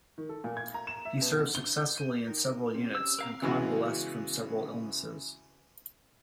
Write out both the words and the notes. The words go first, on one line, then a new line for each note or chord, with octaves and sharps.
He served successively in several units and convalesced from several illnesses.
D#3
A4
A#2
G#6
A#5
E7
E5
B2
D3
G7
G6
D#7
D#4 A#4
C4 C#4 G4
E6
A#4 F5 A#5
C#3 E3 G#3 B3 F#4